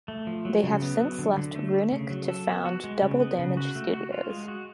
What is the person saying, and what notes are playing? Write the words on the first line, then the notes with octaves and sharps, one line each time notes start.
They have since left Runic to found Double Damage Studios.
A3
F3
F#3
C#3
B3
F#3
D3
D3
A3
A3
C#3
F#3
A4
B3
F#4
G#3
C#3
B3
C#3
F#4
A3
F#4
F4
G#3
F#4